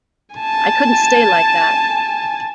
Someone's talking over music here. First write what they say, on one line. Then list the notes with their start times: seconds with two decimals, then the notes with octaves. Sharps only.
I couldn't stay like that.
0.36 G#5 A5